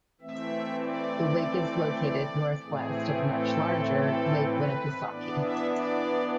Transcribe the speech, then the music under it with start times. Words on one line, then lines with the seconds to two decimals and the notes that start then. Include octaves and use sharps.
The lake is located northwest of much larger Lake Winnipesaukee.
0.21 E3 A3 C4 E5
0.82 D5
2.65 A2 E3 A3 C4 G#4
3.26 A4
3.86 A4
4.48 B4
5.09 E3 B3 D4 D5
5.40 E5
5.70 D5